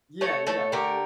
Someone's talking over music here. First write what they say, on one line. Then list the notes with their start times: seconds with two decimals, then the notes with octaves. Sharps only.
Yeah, yeah.
0.21 A3 A4 C#5
0.47 A3 A4 C#5
0.72 D3 G4 A#4